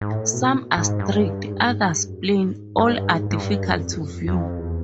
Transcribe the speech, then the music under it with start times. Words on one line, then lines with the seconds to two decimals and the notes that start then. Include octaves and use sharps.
Some are streaked, others plain, all are difficult to view.
0.01 G#2
0.11 A2
0.34 B2
0.77 G#2
0.99 G2
1.45 G#2
1.53 G2
1.60 G#2
1.90 G2
2.07 F#2
2.21 G2
2.34 G#2
2.78 G2
2.86 G#2
2.92 G2
3.08 G#2
3.31 G#2
3.39 G2
3.63 F#2
3.69 F2
3.92 E2
3.98 F2
4.24 F#2
4.28 F2
4.58 E2